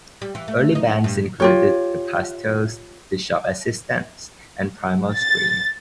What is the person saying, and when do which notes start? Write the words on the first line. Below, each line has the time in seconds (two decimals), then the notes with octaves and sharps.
Early bands included The Pastels, The Shop Assistants and Primal Scream.
0.22 G3
0.35 E3
0.48 A3
0.75 D#4
0.88 E2
1.04 G2
1.40 F4 G4 C#5
5.15 A6